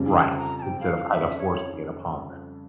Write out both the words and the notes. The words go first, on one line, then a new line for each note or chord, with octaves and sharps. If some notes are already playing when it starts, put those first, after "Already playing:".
Right. Instead of, kind of, forcing it upon them.
Already playing: F2 C#3 G3
A5
A#5
A5
G5
F5
E5
C#5